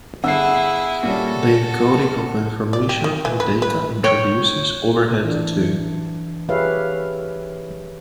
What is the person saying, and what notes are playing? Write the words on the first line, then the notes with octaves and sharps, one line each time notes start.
The encoding of information and data introduces overhead too.
G1 E4 G#4 A4 F#5 E6 C7
A#2 G3 C#4 F#4 A4
D5
G4
D#3
E3
B4
B4
C#5 G5
E3 D4
G4 G#4 B4 C#5 E5 F5